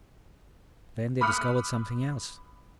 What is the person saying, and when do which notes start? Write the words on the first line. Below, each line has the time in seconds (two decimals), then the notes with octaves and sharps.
Then they discovered something else.
1.21 B5 D6 D#6 F6 F#6 C#7